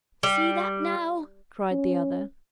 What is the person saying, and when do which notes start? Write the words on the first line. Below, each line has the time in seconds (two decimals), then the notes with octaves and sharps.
'See that now!' cried the other.
0.23 G3
1.72 C#4